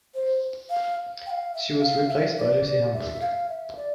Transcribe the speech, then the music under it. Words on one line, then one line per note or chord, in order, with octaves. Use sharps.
She was replaced by Lucy Hambrick.
C5
F5
G5
F5
E5
F5
E5
D5
D5
E5
F5
E5
D5